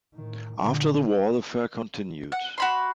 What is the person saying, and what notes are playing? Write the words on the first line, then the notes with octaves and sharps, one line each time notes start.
After the war, the fair continued.
A2 D#3
A#2 D3
F#5
F#4 B5 C6